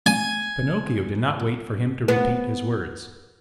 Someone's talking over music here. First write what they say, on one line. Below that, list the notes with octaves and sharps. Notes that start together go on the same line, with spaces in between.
Pinocchio did not wait for him to repeat his words.
G#5
B3